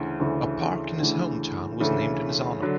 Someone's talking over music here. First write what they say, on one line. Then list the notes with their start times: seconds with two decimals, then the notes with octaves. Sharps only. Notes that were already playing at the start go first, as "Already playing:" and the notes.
A park in his home town was named in his honour.
Already playing: D2 C#3 E3 A3
0.20 D2 C#3 E3 A3
1.00 D2 C#3 E3 A3
1.80 D2 C#3 E3 A3
2.62 D3 F#3